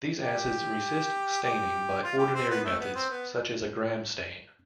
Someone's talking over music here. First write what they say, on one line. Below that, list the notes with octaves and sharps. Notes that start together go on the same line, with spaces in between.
These acids resist staining by ordinary methods such as a Gram stain.
G4
G4
F4
G4
C4
B3
A3
B3
C4
B3